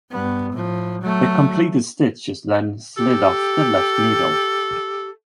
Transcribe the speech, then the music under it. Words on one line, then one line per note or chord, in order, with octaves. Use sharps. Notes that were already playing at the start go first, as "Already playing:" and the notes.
The completed stitch is then slid off the left needle.
G2 B3
A2 F3
F#3 A3
G4 A4